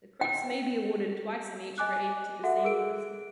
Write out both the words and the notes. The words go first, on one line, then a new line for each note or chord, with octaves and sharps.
The cross may be awarded twice in each grade to the same person.
G5
D#5 G#5 D6 F#6
F#4 A4 E5 F#5
G#4 A#4 D7